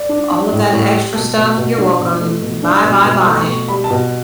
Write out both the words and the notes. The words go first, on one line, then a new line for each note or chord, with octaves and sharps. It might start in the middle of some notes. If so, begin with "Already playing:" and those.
All of that extra stuff? You're welcome. Bye, bye, bye.
Already playing: D5
D4
D4
A2
A2
G3
B2 A5
B2
B2
D4
B2
A3
B2
D4
B2
B2 B5
A3
C#6
B2
G3 B5
A5
B2